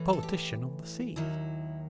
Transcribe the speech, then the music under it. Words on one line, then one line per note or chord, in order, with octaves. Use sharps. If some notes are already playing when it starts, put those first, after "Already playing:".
A politician of the seas.
Already playing: A2 E3
A4
G4
D#2 D#3 F#3 E4